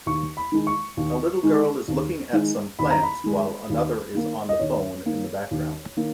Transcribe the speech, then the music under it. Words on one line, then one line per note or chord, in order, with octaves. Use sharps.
A little girl is looking at some plants while another is on the phone in the background.
D#2 C#6
B5
D#3 G#3 D#4
C#6
D#2
D#3 G#3 D#4
D#2
D#3 G#3 D#4
D#2 B5
A#5
B5
D#3 G#3 D#4
D#2
D#3 A#3
D#5
D#2 C#5
D#3 A#3
D#2
D#3 A#3